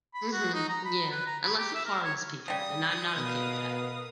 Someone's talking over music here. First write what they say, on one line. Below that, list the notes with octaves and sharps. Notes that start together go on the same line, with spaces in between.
Mhm, yeah, unless it harms people, then I'm not OK with that.
B5
F#4
D#4
A#5
B5
B4
A#5
B5
G4
E5
A#4
C#5
C#3 G3 D#6
B2 A#4 B4 F5